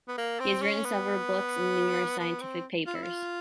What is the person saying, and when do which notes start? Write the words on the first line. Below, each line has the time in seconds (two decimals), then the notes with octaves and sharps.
He has written several books and numerous scientific papers.
0.08 B3
0.18 A#3
0.40 C4
0.62 C#4
0.85 B3
2.20 B3
2.42 C4
2.87 F4
2.95 E4
3.03 F4